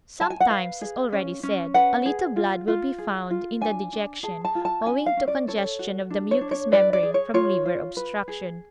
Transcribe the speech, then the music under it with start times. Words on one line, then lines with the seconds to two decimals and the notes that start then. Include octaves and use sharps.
Sometimes, as already said, a little blood will be found in the dejection, owing to congestion of the mucous membrane from liver obstruction.
0.21 A5
0.30 G#5
0.40 F#5
0.50 B4 F5
0.81 G#4
1.12 C#4
1.43 C#4
1.74 B4 F#5
2.06 G#4
2.36 F4
2.68 F4
2.98 G#4
3.30 F4
3.61 D4 G#5
3.93 D4
4.23 G#4 A5
4.45 A5
4.55 F4
4.65 A5
4.86 C#4 G#5
5.06 F5
5.17 C#4
5.27 D5
5.48 A4 C#5
5.79 F#4
6.11 D4
6.31 C#5
6.41 D4
6.51 C#5
6.72 B4 D5
6.93 D5
7.03 G#4
7.14 C#5
7.34 F4 C#5
7.65 F4
7.97 B4
8.28 G#4